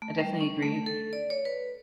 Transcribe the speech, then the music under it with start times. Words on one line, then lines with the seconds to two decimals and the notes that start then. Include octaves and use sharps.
I definitely agree.
0.02 A3
0.21 G3
0.41 C#4
0.63 A3
0.86 A4
1.13 D5
1.30 C#5
1.45 B4